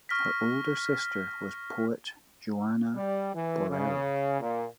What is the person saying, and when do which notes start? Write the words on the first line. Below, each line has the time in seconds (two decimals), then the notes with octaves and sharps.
Her older sister was the poet Juana Borrero.
0.09 C#6 F6 A#6 B6
2.95 G3
3.35 E3
3.69 C#3
4.41 A#2